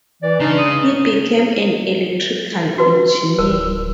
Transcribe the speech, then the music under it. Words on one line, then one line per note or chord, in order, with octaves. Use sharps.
He became an electrical engineer.
E3 D5
C#3 G#3 D4 D#4
D#6
F#4 B4
D1 A#4